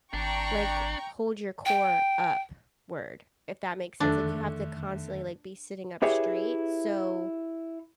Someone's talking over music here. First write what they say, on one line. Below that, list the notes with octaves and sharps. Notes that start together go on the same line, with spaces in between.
like, hold your core upward, if that makes sense, like, you have to constantly, like, be sitting up straight, so
G#1 D4 G5 A#5 C#6
G5
F2 D3 D#3 A3 D4
E4 G4 G#4 B4 C#5 E5